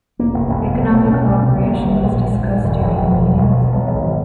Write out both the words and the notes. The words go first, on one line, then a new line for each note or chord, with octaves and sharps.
Economic cooperation was discussed during the meetings.
F1 A#3
F1
F1 B3
F1
B1
A2
B1 C#4
B1
C3 C4
B3
G1
A#3
G1
G1
A#1 G#3
A#1
A#1
G#2
E1 E3
E1
E1
E1
B2 G3
B1 F#3
B2 F3
B1
G#1